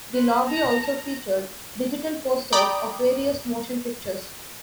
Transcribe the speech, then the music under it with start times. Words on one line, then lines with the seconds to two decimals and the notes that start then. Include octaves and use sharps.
The lobby also featured digital posters of various motion pictures.
0.13 B4 C5
0.46 A5 A#5
0.83 A#5
2.53 D5 G5 A#5 B5 D6 D#6